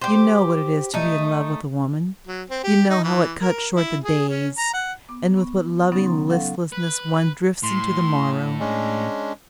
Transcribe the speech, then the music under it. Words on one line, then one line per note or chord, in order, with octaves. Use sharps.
You know what it is to be in love with a woman, you know how it cuts short the days, and with what loving listlessness one drifts into the morrow.
G4 C5
A3 D#4
F#3
C4
G4
D#4
E3
A#4
E4
G#4
C#4
A#5
F#5
B3 D6
B3 C#6
C#3 F#3 B3 C#4 D#4 A6
A#5 C6
F#3 C#4 A4 F5 F#5
B4
A2 C6
G#3 C#4 D4